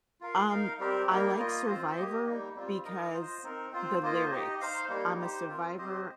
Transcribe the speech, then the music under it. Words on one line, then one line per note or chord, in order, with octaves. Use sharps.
Um, I like Survivor because the lyrics, "I'm a survivor"
F4 A#4 F5
D#4 A#4 F5
G3 C4 G4 A#4
G3 A#3 D#4 A#4
A#3 F4 D#5
C4 F4 C5
A#3 G4 D#5
G3 A#3 D#4
G3 C4 F4
D#4 A#4 D#5
F4 C5 D#5
C4 D#4 A#4
C4 F4 C5
A#3 F4 C5 D#5
D#4 G4 D#5
D#4 C5 F5
G3 A#3 D#4
D#4 G4 C5
C4 F4 A#4
C4 G4 C5 D#5